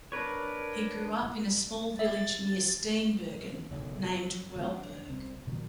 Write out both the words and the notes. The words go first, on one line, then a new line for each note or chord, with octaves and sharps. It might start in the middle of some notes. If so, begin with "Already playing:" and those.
He grew up in a small village nearby Steenbergen named Welberg.
D4 A#4 B4 C#5
E5 A6
F#1 B1 G#2 D3
F#3
E3 A3 C4
D4
C2 C4
A#2 D#3 F#3 A#3